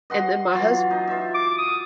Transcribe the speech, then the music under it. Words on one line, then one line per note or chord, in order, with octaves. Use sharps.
And then my hus
D#5 F#5 C6
E3 F#3 F4
D#4
F4 E5
D6
D#6